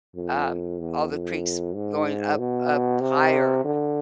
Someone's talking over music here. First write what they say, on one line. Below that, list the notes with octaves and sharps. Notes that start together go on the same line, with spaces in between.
um, all the creeks going up up higher,
F2
E2
F2
G#2
B2
C3
D3